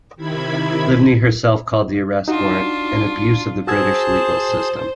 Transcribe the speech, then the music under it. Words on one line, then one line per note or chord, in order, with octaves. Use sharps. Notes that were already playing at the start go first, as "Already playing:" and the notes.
Livni herself called the arrest warrant "an abuse of the British legal system".
C3 D#3 E4 B5 G#6
D4 D#4 F4 F#4
F#4 G#4 C5 A5 E6 G#6